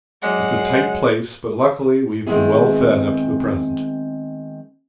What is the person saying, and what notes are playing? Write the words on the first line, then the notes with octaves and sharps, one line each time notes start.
It's a tight place, but luckily we've been well fed up to the present.
F#2 G#3 D5 F#5 C7
D#3 G#3 B3 C4 E4 G#4